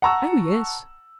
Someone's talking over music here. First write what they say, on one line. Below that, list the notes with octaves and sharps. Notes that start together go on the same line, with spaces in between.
"Oh, yes."
F#5 A5 A#5 C#6 E6